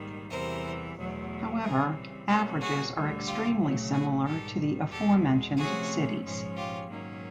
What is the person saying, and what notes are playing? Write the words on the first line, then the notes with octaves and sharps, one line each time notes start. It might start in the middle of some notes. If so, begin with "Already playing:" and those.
However, averages are extremely similar to the aforementioned cities.
Already playing: G#2 D#3 G3 A#3
E2 C3 E3 G3 A#4 C5
E2 B2 F#3 A3
C#3 E3 G3 C4 G#4 A#4
B2 G3 A#3 C#4 G4 A4
F#4 G#4
D2 D3 G3
F4 G4
C#3 F#3 A3
F#4 G#4
G#2 D#3 G3 G4 A4
E2 B2 G#3 G4 A4
C3 F3 A3 C#4 F#4 G#4
G#2 F3 G#3 C#4
F4 G4
G#2 D#3 F#3 A#3 C#4